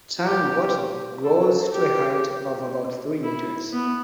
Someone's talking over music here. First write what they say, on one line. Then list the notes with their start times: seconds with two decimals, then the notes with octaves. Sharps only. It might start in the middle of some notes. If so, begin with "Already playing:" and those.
Tan wattle grows to a height of about three metres.
0.25 G4
1.24 A4
1.73 G4
3.23 E4
3.73 B3